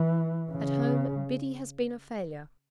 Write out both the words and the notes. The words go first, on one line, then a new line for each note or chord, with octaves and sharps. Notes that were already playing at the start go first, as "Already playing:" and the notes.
'At home, Biddy has been a failure.
Already playing: E3
C#3